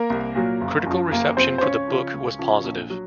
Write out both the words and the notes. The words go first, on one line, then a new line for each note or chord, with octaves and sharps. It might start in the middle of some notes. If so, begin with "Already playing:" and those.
Critical reception for the book was positive.
Already playing: A#3 A#4
C2
A#2 F#3
F#1
F#2 F3
F#1 A#3 A#4
F#2 F3 C4 C5
C5
C#2 C#4 C#5
C#3 F3
C#2
C#3 F3
A#1
F#3